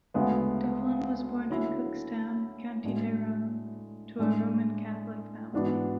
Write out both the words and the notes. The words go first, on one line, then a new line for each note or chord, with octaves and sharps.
Devlin was born in Cookstown, County Tyrone, to a Roman Catholic family.
D2 C#3 G#3 B3
D3 F#3 C#4 E4
A2 G#3 D4 F#4
A2 G#3 D4
G#2 E3 B3 D4 F#4